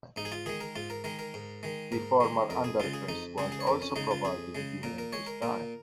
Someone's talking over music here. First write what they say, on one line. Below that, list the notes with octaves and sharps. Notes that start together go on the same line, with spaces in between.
The former underpass was also provided during this time.
G#2 D#4
G#4
F4
D#3 G#3 G#4
A#4
G#2 F4
A#4
D#3 G#3 A#4
A#4
G#2
D#3 G#3
G#2 A#4
D#3 G#3
F2 A#4
G#4
C#3 G#3 F4
G#4
F2 D#4
C#3 G#3 G#4
G#4
C#5
F2 A#4
C#4
C#3 G#3 D#4
F4
F2 G#4
C#3 G#3
A#2 A#4
A#4
G#3 C#5
A#4
A#2 A#4